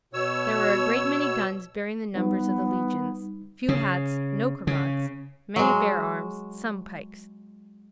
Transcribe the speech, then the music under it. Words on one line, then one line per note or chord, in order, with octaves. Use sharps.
There were a great many guns bearing the numbers of the legions, few hats, no cravats, many bare arms, some pikes.
B2 C#5 E6
G3 B3 D#4
C#3
C#3
F#3 G#3